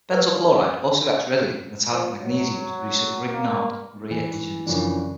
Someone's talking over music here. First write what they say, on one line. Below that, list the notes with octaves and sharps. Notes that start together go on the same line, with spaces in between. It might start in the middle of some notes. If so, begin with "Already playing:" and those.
Benzyl chloride also reacts readily with metallic magnesium to produce a Grignard Reagent.
A#4 B4 D5
F3
F#3
A#3
E3
F#2 C#3 E3 F3 C#4 D4